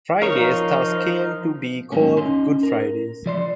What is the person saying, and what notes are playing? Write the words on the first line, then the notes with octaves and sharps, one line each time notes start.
Fridays thus came to be called Good Fridays.
F3 D#4 A#4 C#5 F5 C#6
G#2 F#3 A#3 C#4
C#4 D#4 D#5 C6
A#4
F3 D5 C6